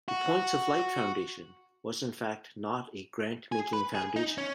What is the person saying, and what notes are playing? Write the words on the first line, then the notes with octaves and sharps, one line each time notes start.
The Points of Light Foundation was in fact not a grant-making foundation.
F#4
G#4
B4
G#4
D#4
C#4